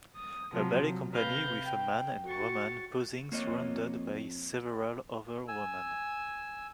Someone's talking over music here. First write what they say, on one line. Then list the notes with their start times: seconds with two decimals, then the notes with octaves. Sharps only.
A ballet company with a man and woman posing surrounded by several other women.
0.15 D#6
0.51 C3 F3 F#3
0.82 F#3
1.13 C3 B4 F5 G6 A#6
1.64 G5
2.25 F#4 C#6 A6
3.32 F2 A#3 C#5 D#5
5.48 G#5 E6